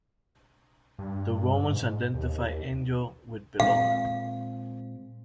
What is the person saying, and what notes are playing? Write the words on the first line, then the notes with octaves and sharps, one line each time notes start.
The Romans identified Enyo with Bellona.
G2
G#2
D#2
A#2 G#3 C4 F5